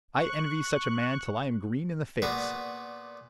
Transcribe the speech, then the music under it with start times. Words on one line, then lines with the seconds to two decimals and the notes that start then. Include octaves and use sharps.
I envy such a man till I am green in the face.
0.16 C#6 F#6
2.22 A#2 B3 F#4 G#4 B4 D5